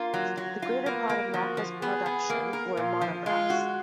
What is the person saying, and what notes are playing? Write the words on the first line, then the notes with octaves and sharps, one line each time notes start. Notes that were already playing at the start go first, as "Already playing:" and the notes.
The greater part of Nauka's production were monographs.
Already playing: A#3 F4
F#3
F#3
F4
A#3 B3
A#3
F3 F#4
F3
B3 G#4
B3
A#3
A#4
A#2 F4
F3
G#3 F4
F#4